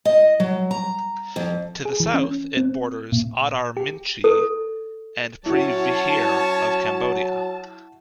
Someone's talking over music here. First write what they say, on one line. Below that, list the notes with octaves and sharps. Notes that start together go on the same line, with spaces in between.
To the south it borders Oddar Meancheay and Preah Vihear of Cambodia.
D#5
F#3
A#5
F2
G#4
E3
C#4
C4
A#2
G4
A4
F#3 C#4 E4 F#4 C#5 A5